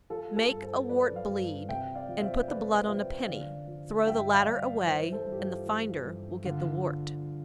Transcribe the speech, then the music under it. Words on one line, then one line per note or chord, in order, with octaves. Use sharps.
Make a wart bleed, and put the blood on a penny, throw the latter away, and the finder will get the wart.
F3 F4 A4
F4 A4
G2
A4 C5
F3 B4 D5
D5 F5
G2
C3 E5 G5
D5 F5
F3
F5
C5 E5
F2 B4 D5
F2 C5 E5
D3 D5 F5
F3
G2 E5 G5
D5 F5
G2
E3 C5 E5
A4 C5
G2
G4
F4
E3
G2
D3 F4
F3